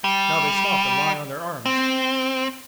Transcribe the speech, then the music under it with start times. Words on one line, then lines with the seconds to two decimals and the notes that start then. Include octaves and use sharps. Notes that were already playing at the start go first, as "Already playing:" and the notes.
Now they stop and lie on their arms.
0.04 G3
1.66 C4